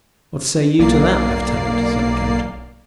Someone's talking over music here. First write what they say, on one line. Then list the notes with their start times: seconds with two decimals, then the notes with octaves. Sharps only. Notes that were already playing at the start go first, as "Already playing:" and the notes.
"What say you to that, leftenant?" said the captain.
0.79 B1 A#3 D5 C7